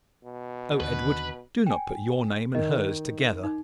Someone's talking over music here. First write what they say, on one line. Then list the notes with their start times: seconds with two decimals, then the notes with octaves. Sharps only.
"Oh, Edward, do not put your name and hers together!"
0.24 B2
0.80 D#2 D3 B4
1.66 G5 G#5
2.55 D#3 D#5
3.44 D#4